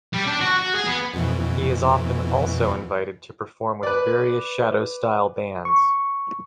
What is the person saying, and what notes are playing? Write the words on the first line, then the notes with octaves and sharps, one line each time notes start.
He is often also invited to perform with various Shadows-style bands.
G3
D4
F#4
F#4
G#4
B3
F2 B2 E3
B4 D5
C#6